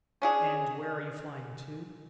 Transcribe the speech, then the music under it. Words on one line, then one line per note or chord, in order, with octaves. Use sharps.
"And where are you flying to?"
C#4 D4 G#4